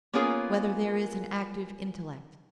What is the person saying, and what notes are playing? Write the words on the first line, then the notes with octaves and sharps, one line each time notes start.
Whether There Is an Active Intellect?
A#3 B3 C#4 F4 G#4 A#4